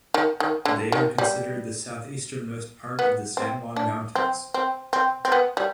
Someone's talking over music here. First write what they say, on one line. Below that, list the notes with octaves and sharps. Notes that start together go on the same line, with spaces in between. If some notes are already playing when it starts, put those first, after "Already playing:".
They are considered the southeasternmost part of the San Juan Mountains.
D#3
D#3
D3
D#3
G3
B3
C4
D4
C4
C4
C4
C4
B3
G3